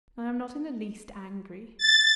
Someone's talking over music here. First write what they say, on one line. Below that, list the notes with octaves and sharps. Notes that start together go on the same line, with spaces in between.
"I am not in the least angry."
A6